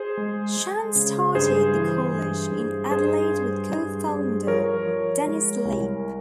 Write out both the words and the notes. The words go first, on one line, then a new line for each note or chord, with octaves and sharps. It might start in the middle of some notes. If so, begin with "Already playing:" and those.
Chant started the college in Adelaide with co-founder Dennis Slape.
Already playing: G#4 C5
G#3
G#3
C#3
G2 G#4 C5
E3
G2
G2
G2 G#4 C5
G2
G2
G2
F3 A#4 C#5
F3
G#3
C2